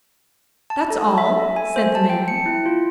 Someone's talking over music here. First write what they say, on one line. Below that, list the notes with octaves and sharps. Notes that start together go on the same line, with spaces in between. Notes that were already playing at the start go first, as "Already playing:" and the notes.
"That's all," said the man.
A5
A4
E5
A4
G#5
C5
A5
G5
C#7
E4
F4